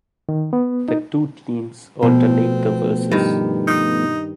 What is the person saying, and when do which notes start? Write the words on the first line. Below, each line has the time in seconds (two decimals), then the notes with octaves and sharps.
The two teams alternate the verses.
0.29 D#3
0.53 B3
0.88 D#4
2.03 B2 F3 A3 B3 C4
3.11 G2 D#3
3.68 D#4